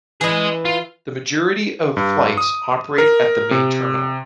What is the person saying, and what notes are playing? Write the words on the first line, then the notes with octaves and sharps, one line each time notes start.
The majority of flights operate at the Main Terminal.
E3 E4 G#4 D#5
F4
G2
D#6
A#4
C3